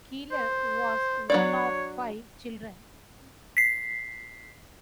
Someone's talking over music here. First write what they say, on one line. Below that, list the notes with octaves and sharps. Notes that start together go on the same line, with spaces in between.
Keeler was one of five children.
C5
F#3 D4 C#5 D5
B6 C7